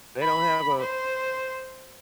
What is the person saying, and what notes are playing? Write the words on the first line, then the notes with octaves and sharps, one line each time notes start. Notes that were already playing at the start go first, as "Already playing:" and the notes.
They don't have a
B5
C5